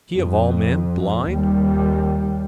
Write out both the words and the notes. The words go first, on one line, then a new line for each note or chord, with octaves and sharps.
"He, of all men, blind!"
F2
D#2 G3